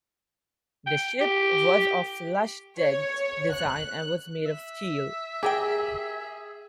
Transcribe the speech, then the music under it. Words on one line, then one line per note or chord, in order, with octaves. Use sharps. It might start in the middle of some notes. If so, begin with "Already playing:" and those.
The ship was of flush decked design and was made of steel.
G5
G4
C#5
F#6
E5
G4 G#4 A#4 G5